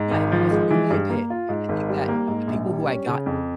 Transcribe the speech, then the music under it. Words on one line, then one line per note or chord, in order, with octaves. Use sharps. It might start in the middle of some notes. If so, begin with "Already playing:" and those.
Yeah, in in a certain way it did, and I think that, you know, the people who I got
Already playing: G#2
G#1
F3
G#3
E3
G2
A#3
F4
G#2
G#1
G3
A#3
G#2
A#1
G3
C#4
C#3
F2